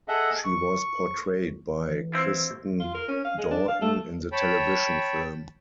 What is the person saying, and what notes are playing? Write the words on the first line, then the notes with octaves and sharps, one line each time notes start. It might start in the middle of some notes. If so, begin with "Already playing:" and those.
She was portrayed by Kristen Dalton in the television film.
G#4 A4 D#5 E5 F#5
C#6
E3
C4 E4 F4
F4
A#4
C#4
F5
G#3
D4
F5
A3
C#5 G5 A5 B5